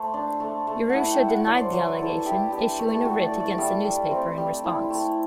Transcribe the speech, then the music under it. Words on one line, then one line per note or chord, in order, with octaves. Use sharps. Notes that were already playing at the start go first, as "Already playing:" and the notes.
Urrutia denied the allegation issuing a writ against the newspaper in response.
Already playing: A3 C5
D4
A3
A3
E4 E5 F#5
G5
E4
F#5
F#3 D5
C5
F#3 C5
B4
E4 A4
E4 G4
D4 G4
A3
A4
G4
A3 F#4
D5
A3
D5
G3 E5
G3
C4
G3
E4
A3